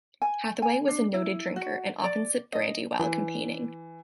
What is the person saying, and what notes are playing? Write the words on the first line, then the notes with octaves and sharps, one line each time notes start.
Hathaway was a noted drinker, and often sipped brandy while campaigning.
G#5
G#5
D4
E4
F#4
D5
D#5
E3